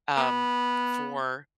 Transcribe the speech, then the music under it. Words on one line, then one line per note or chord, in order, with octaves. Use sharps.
um, for
B3